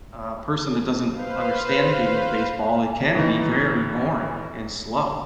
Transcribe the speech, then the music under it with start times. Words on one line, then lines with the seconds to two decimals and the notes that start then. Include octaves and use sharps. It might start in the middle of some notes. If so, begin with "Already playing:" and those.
uh, person that doesn't understand the game of baseball, it can be very boring and slow.
1.11 B4 C5 F5
3.15 A2 E3 D#4